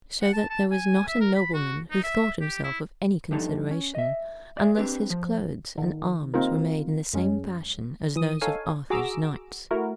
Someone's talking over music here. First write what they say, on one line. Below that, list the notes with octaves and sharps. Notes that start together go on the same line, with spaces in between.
So that there was not a nobleman who thought himself of any consideration unless his clothes and arms were made in the same fashion as those of Arthur's knights.
F#5
A5
A5
G#5
E5
A#4
B5
F#4
D#4
E5
G4
E4
G2 F3 D4 D#4 A4 A5
C#4
D#5 E5
D5 E5 G#5
C4 D4 G4 B4
F3
D#3
A#3 C4 D#4 F4 A#4
F#2 G#3 C#4
E3 D#6
D#4 A4 C#5 F5 G#5
F#4 G#4 A#5 D6 E6
A3 E4 F#4 A#4